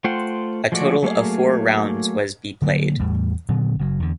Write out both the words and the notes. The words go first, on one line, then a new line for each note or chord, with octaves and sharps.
A total of four rounds was be played.
A3 F4 C5 F#5 G5
F3 G#3 A3 F#4 D5
F#3 A3 A#3 G#4
D3 F#3 A#3
E2 A2 G3
A#2 D3 F#3 B3
F#1 C#3 F#3
E2 D3